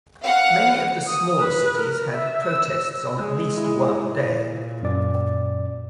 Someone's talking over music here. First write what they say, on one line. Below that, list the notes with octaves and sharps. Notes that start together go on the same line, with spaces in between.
Many of the smaller cities had protests on at least one day.
F5 F#5
D#6
B4
A#4
E5
E6
G#3
E4
A#2
F#2 D5